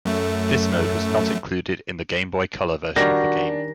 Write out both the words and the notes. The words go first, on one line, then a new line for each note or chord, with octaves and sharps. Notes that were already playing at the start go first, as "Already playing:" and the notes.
This mode was not included in the Game Boy Color version of the game.
F#2 A3
D#3 G3 C#4 D4 F#4 A#6